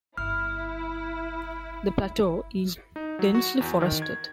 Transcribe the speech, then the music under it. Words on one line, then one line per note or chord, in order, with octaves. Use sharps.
The plateau is densely forested.
G1 E4 F6
D#4
F#3
F#4
E2
D#3
G#6